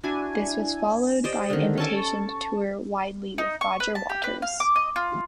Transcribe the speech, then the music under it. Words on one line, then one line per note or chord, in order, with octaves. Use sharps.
This was followed by an invitation to tour widely with Roger Waters.
D4 E4 F#4 G#5
G4 C5 D5 D#5
D3 D#3
C#4 A4 A5 C#6 D6
D#4
C#6
B4
A5
G4
B4
F5
D6
D#5
F4